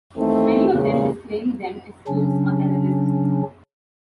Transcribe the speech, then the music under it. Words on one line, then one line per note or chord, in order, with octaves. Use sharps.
Many of them disclaimed them as "spoofs" on terrorism.
D#2 E3 A3 C4 D#4 A4
E2 G2 A#2 C#3
C#3 F#3 C#4 D4